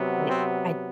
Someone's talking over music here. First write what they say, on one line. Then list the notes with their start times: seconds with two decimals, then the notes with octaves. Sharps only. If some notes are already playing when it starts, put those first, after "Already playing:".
I I
Already playing: C3 F#3 B3
0.29 C4